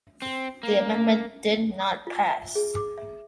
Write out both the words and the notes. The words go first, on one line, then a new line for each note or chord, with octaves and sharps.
The amendment did not pass.
C4
A#3
D#6
F4
E5
G#4
D6
E5